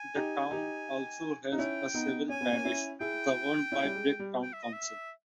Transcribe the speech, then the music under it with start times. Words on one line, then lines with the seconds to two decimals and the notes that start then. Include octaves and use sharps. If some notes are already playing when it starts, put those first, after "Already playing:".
The town also has a civil parish governed by Brigg Town Council.
Already playing: G#5
0.15 D#4 G4
0.51 D#4 G4
1.52 D#4
1.58 C#4 E4 G5
1.94 B3 D#4
2.29 C#4 G#5
2.41 B3
2.52 A#3 C#4
2.65 C#4 E4
3.00 E4 G#4 G5
3.72 C#4 E4
3.84 G3
3.95 G#3
4.19 G3
4.43 G5
4.53 E5
4.62 D#5
4.73 E5